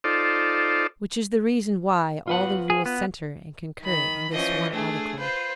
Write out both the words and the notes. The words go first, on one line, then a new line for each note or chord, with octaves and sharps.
Which is the reason why all the rules centre and concur in this one article.
D#4 F4 A4 C5 D5
F4 B4 F#5
G#4
B3
D#3 B5
E3 F3 C#4 D#5
A3 D4 G#4
F4 B4 C5